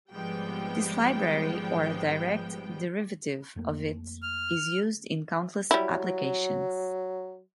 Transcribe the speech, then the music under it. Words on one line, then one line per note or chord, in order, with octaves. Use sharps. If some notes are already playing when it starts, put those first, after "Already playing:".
This library or a direct derivative of it is used in countless applications.
G#1 F3 G3 G#3 B3 G5
F2 A3 A#3
F6
F#3 G3 E4